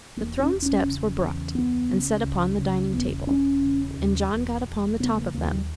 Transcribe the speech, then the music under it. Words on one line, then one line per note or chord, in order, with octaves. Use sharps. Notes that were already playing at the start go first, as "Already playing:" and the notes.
The throne-steps were brought, and set upon the dining-table, and John got upon the top of them.
E1 A#3
C#4
E1
C#4
C#3
E2
C#2 B3
C#3
C#2
C#3
E1 B3
E1 C#4
C#3
D#2
E1
E1
C#3 B3
A#3
D#2 A#3
E3
G3